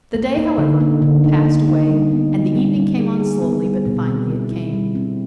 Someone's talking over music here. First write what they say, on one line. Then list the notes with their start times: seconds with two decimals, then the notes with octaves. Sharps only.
The day, however, passed away; and the evening came on slowly, but finally it came.
0.14 A#3
0.37 D#4
0.58 D3
0.81 A#3
1.02 D3
1.24 D#4
1.45 A#3
1.68 D#4
1.89 G3
2.11 B3
2.32 D#4
2.55 G3
2.76 G3
2.98 G#4
3.20 G#4
3.42 B3
3.65 G3
3.86 B2
4.08 C4
4.30 E4
4.51 E4
4.73 G3
4.95 C4